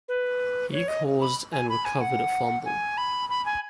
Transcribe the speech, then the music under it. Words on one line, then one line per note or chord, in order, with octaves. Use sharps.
He caused and recovered a fumble.
B4
C#5
D#5
B5
G#5
B5
G#5
F#5
G#5
B5
B5
G#5